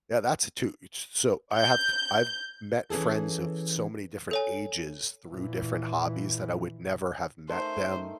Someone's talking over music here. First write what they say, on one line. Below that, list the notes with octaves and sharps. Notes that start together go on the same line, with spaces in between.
Yeah, that's it, too, s so I have I've met friends of so many different ages through different hobbies that I would never have met them
G6
E3 C#4 G#4 A4
A4 C#5 G#5
A#2 E3
D#3 A3 C5